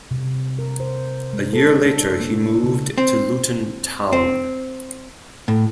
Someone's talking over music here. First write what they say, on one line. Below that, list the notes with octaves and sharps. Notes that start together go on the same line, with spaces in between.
A year later he moved to Luton Town.
C3
A#4
C5
G#3
A4
D4
A#3
C#3
C4
C4
A2